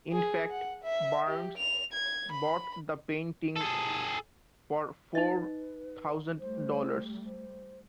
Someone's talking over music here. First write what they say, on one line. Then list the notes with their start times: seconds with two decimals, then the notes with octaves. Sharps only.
In fact, Barnes bought the painting for four thousand dollars.
0.13 G#4
0.50 F#5
0.83 E5
1.27 G4
1.58 F7
1.92 G#6
2.32 B5
3.57 G#4 A4
5.15 D#4 B4 D#5
6.40 G3 A3 C5
7.26 C5